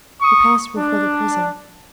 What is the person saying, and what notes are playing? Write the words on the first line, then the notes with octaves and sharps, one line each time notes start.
He passed before the prison.
C#6 D#6
D4